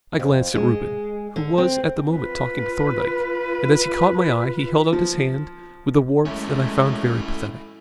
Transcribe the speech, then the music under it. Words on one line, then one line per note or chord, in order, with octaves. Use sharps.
I glanced at Reuben, who was at the moment talking to Thorndyke, and as he caught my eye he held out his hand with a warmth that I found very pathetic.
F2
G#3
D3
C4
F4 B4
F3
F#2 G#3 A3 C#4 E4